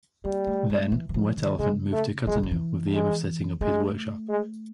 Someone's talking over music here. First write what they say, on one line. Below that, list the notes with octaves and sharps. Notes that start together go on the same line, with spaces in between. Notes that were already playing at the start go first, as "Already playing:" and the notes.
Then Wet Elephant moved to Cotonou with the aim of setting up his workshop.
G3 A#3
A3
G#3
E3
E3
F3
D#3
C#3 G#3
A3
F3 G#3
E3
D#3
E3
G#3
G#3 A3
G#3